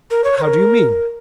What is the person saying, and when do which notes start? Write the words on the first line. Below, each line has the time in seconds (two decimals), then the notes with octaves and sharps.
"How do you mean?"
0.11 A#4
0.24 C#5
0.38 C#5
0.41 A#4